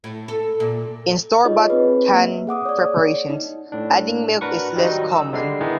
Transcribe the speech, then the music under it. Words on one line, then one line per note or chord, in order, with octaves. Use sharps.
In store-bought canned preparations, adding milk is less common.
A2
A4
A#2
D#4 F4 G#4 C#5 D#5
C4 B4
A#3
G#4 F#5 D6 D#6
C#5 D5
D#4
A2 D4
D4 F#4 A#4 B4 F#5 C#6
D#3 F#3 G3 D#4 F#4
E6
D3 G3 G#3 G4 C7
D#3 E3 G#3 B3 D#4 E4